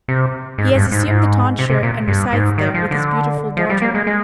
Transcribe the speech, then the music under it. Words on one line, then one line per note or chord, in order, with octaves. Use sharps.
He has assumed the tonsure, and resides there with his beautiful daughter.
C3
G#2
G2
G#2
G#2
C3
C3
A#2
G2
G#2
D#3
F3
D3
F3
G3
A#3
G#3
G#3